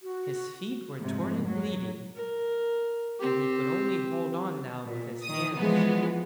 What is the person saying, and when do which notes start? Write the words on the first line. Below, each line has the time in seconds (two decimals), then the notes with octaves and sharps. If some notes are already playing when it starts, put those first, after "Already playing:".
His feet were torn and bleeding, and he could only hold on now with his hands.
0.02 F#4
0.97 F2 G#2 C3
1.44 F#3
2.15 A#4
3.19 C4 G4
4.84 A#2
5.24 D#3 D#6
5.57 E3 F3 G#3 B3